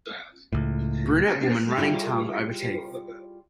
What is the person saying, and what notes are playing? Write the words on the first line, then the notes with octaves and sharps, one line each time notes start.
Brunette woman running tongue over teeth.
C#2 A2
G3 E4 F4 G4 G#4